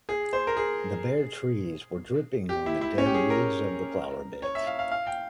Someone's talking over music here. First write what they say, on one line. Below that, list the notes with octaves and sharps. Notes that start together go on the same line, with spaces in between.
The bare trees were dripping on the dead leaves of the flower beds.
G#4
C5
A#4
G#4
G4
E4
E4
C#4
G4
G#4
A#4
C#5
E5
F5
F5
F5
G5